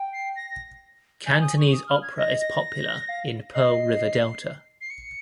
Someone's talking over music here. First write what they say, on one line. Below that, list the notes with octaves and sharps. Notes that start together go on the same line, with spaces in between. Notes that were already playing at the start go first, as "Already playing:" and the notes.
Cantonese opera is popular in Pearl River Delta.
Already playing: G5
C7
A#6
A#6
G#5 G6
D#6
C#6
D#6
F6
G#6
D#5 A#6
A#6
F5
D#5 C7
C7
C#7